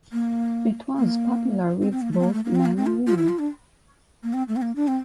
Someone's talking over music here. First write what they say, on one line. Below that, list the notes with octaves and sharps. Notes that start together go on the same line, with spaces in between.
It was popular with both men and women.
A#3
A#3
C4
C4
A#3
A3
C4
A#3
A3
A#3
C4
A#3
C4
F4
F4
E4
F4
D4
A#3
C4
A3
C4
A#3
D4
C4